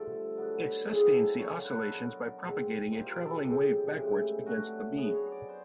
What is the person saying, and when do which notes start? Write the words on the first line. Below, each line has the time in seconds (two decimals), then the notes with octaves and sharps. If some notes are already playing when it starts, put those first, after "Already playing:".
It sustains the oscillations by propagating a traveling wave backwards against the beam.
Already playing: G2 D3 F3 A3 A4
0.37 D3 F#3 B3
0.89 C#3 E3 G#3 C4 G#4
1.14 A4
1.39 D3 F#3 A#3 C#5
1.52 C5
1.65 B4
1.78 A4
1.91 B2 F#3 B3 A#4
2.42 B2 G#3 C4
2.93 A#2 G3 A#3 C5
3.10 A#4
3.27 A4
3.44 C#3 F3 G#3 C4 G4
3.96 A2 E3 G#3
4.46 D3 F#3 A3 F#4
4.98 D3 F#3 B3 G#4
5.14 C#5
5.32 D5
5.49 C5